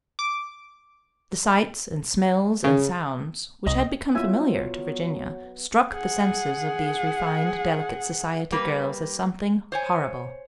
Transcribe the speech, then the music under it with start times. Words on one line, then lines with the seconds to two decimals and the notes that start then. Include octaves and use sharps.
The sights and smells and sounds which had become familiar to Virginia struck the senses of these refined, delicate society girls as something horrible.
0.19 D6
2.64 C#3
3.67 C2 D#5
4.15 F#3 B3 E4 F4 E5 G#5
5.93 G#4 F#5
8.52 G3 A#3 B4
9.72 C5 C#5 G#5